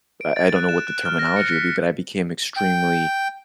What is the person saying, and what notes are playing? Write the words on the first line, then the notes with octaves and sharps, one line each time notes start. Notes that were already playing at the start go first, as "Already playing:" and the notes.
uh, I don't know what the terminology would be, but I became extremely
D7
A6
F#6
E7
F#6
F6
A#6
C#7
B6
G5